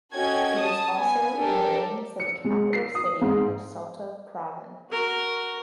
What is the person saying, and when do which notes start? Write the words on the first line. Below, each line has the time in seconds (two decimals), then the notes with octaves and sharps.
It is also the name for the capital city of Salta Province.
0.14 C#4 F#4 A4 D#5 G5 G#6
0.58 A5 D#6
0.95 B3 G#5
1.39 D4 G4 A4 A#4
2.20 C#7
2.45 G#3
2.73 C7
2.95 D#6
3.22 G#2
4.90 F#4 A#4